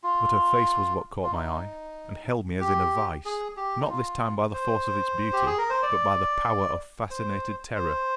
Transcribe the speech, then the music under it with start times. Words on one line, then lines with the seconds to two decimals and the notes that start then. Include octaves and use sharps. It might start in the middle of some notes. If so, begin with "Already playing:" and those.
But her face was what caught my eye, and held me as in a vice, not this time by the force of its beauty, but by the power of fascinated terror.
0.04 F4
1.23 F4
1.32 D#4
2.60 G4
3.25 G#4
3.57 G4
3.80 D#4
3.89 F4
4.54 C5
5.33 G4
5.46 G#4
5.58 A#4
5.70 C5
5.82 D5
7.11 C5
7.76 C5